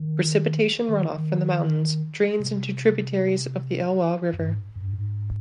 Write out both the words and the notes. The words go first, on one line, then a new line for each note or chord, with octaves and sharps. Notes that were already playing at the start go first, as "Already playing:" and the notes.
Precipitation runoff from the mountain drains into tributaries of the Elwha River.
Already playing: D#3
D#3
D#3
C3
G2
G#2
G2
G#2